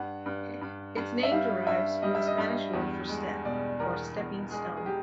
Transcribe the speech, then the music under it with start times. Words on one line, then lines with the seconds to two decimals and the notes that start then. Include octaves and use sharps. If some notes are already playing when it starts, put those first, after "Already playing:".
Its name derives from the Spanish word for "step" or "stepping stone".
Already playing: G2 F#5
0.26 G2
0.61 G2
0.96 G2
1.23 E5
1.31 G3 F5
1.67 G2 E5
2.02 G3 D#5
2.15 E5
2.27 D#5
2.38 G2
2.73 E2
3.09 G#3
3.45 B2 D5
3.79 E2 A#4
4.16 E2
4.50 G#3 G#4
4.77 G#4
4.86 G4